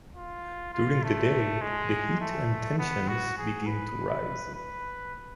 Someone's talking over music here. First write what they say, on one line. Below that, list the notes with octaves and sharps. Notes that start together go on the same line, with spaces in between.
During the day, the heat and tensions begin to rise.
F4
F4
A3
G#3
A3
B3
F#4
G#4
B4
B4